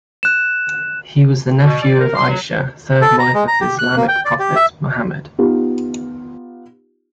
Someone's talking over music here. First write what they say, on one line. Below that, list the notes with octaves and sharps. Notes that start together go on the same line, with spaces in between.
He was the nephew of Aisha, third wife of the Islamic prophet, Muhammad.
F#6 E7
B2
D5
A#4
C6
F#3
A4
A#5
G#3
A#5
G4
F#6
A#3
G5
D5
G4
E5
B3 D#4 F4 G4